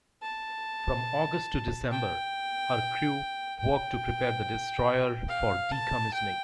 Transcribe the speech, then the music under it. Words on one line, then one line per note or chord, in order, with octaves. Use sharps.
From August to December, her crew worked to prepare the destroyer for decommissioning.
A5
G5
G5
F5
A5
G5